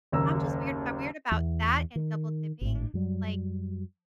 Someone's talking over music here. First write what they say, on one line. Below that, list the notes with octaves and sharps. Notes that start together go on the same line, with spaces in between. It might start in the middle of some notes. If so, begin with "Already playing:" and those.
I'm just weird I'm weird about that and double dipping, like,
F#1 D#2 C#3 A#3 A#5 E6
E2
D#3
G#1 A2
F#2 F#3 G3